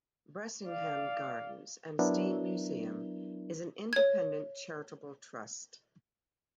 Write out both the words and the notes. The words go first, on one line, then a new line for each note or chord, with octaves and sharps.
Bressingham Gardens and Steam Museum is an independent charitable trust.
D5 F5
F#3 B3 D4 E4 A#4
C#5 G#6